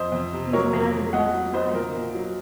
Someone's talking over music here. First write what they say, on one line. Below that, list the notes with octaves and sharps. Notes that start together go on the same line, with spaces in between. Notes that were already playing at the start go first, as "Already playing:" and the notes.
He's a man of the best society.
Already playing: F2 C5 D#5
F2
C3
F#3 A#4 C#5
F2
F2
A#2 D#5 F#5
F#3
F#3 C5 D#5
A#2 A#4
A#2
F#3